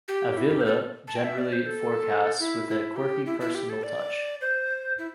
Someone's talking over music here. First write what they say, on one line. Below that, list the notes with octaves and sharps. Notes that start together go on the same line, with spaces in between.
Avila generally forecasts with a quirky personal touch.
G4
E4
G4
C5
A4
A5
G5
E5
D5
C5
A4
E4
E4
G4
E4
E4
G4
A4
D5
C5
E4